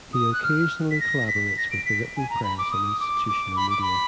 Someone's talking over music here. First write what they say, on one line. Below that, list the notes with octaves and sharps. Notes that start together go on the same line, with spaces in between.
He occasionally collaborates with the written press and institutional media.
D#6
F#6
F6
B6
A#6
B6
A#6
D7
B6
G#5
A#5
B5
D6
D#6
D6
D6
B5
D6
B5